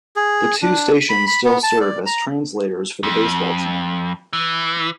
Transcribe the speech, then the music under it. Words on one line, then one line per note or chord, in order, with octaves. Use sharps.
The two stations still serve as translators for the baseball team.
G#4
D4
B5
B5
B3
A5
D5
A#5
F2
E3